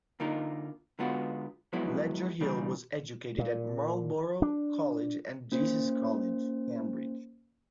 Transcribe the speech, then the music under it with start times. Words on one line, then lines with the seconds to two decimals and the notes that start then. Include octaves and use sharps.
Ledger Hill was educated at Marlborough College and Jesus College, Cambridge.
0.20 D3 A#3 D#4 F4 A#4
0.99 D3 G#3 B3 F4 F#4
1.73 F3 F#3 G#3 B3 E4
2.41 C#3 E3 G3 A#3 D4
3.38 A#2
4.42 D4
5.52 A#3 C#4 F4 C5